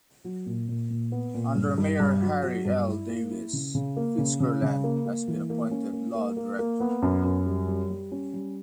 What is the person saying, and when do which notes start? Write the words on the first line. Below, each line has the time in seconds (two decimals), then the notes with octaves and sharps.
Under Mayor Harry L. Davis, FitzGerald was appointed law director.
0.24 F#3
0.46 A#2
0.69 A#2
0.90 A#2
1.12 B3
1.34 A#2
1.56 G2
1.78 G2
2.00 G2
2.22 F#3
2.43 F#3
2.65 G2
2.87 E4
3.09 A#3
3.31 E4
3.53 C#3
3.75 C#3
3.97 A#3
4.18 C#3
4.40 C#3
4.62 C#3
4.84 A#3
5.06 A#3
5.28 E3
5.50 A#3
5.71 C#4
5.93 A#3
6.15 A#3
6.37 A#3
6.59 A#3
6.80 B3
7.02 F#2
7.24 F#2
7.46 G3
7.68 G3
7.90 G3
8.12 C#4
8.34 G3